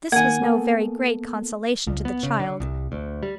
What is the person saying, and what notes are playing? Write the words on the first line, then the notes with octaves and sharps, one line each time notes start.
This was no very great consolation to the child.
D#3 A#3 F#5 G#5 G#6
A#3 B3 A4
C#2
B3
C#3
D3
C2
D2
G3